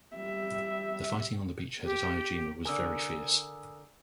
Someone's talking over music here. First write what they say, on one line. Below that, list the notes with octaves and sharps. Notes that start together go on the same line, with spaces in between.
The fighting on the beachhead at Iwo Jima was very fierce.
G3 E5
G4
D3 A#4 G#5 D#6 E6